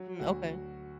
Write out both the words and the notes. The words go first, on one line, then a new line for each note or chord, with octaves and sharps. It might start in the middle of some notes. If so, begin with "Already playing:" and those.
Mm, okay.
Already playing: F#3
D2 F#4